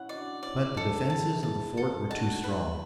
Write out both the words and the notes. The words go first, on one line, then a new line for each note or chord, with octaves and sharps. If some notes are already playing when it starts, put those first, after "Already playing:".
But the defenses of the fort were too strong.
Already playing: C#4 E4 F#5
D4 F#4 D5
C#4 E4 D5
D4 F#4 A4
E4 G#4 A5
E4 G#4 A5
A4
D4 F#4 A5
B4